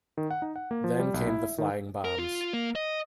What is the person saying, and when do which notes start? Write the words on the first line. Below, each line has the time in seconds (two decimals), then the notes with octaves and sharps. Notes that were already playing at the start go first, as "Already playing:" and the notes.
Then came the flying bombs.
0.17 D#3
0.31 F#5
0.42 D#4
0.56 F#5
0.71 A#3
0.84 F3
0.99 G3
1.14 B1
1.28 E4
1.43 E5
1.58 D#3
2.05 A#4
2.19 F4
2.53 A#3
2.75 D#5